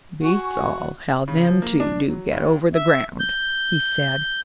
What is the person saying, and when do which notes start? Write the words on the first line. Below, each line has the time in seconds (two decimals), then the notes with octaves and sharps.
"Beats all how them two do get over the ground," he said.
0.22 F#4 G#5 C#6
1.28 C#3
1.43 F3
1.62 A#3
1.80 D4
2.08 F#3
2.32 D#2
2.74 E5
3.20 G6